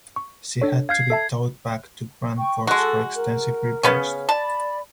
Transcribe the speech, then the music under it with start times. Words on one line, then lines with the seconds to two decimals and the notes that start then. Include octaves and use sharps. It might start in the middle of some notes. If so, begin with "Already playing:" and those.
She had to be towed back to Grand Forks for extensive repairs.
0.16 C#6
0.62 D4 A4 C#5
0.89 F5 F6 G6 G#6 C7
1.10 A4 E5 A5
2.38 G5 C#6
2.67 G#3 F#4 A4
3.15 A#4
3.83 C#3 B3 C#4
4.29 D5 A5 B5